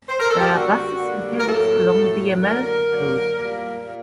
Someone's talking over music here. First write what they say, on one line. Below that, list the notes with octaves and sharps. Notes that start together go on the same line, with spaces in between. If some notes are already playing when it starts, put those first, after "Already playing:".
There are buses and ferries along the Amalfi Coast.
C5
A#4
A4
G4
D3 G3 A#3 F#4
D3 G3 A#3
A#4
A2 F#3 A#3 A4
A2 F#3 A#3
D3 F#3 A#3 A#4
D3 F#3 A#3
A#2 G3 A#3
A#2